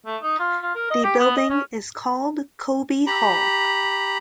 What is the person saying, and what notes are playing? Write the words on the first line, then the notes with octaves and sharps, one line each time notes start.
The building is called Colby Hall.
A3
D#4
F4
F4
A#4
D#5
G4
B3
D#5
C#4
G4 A#5 B5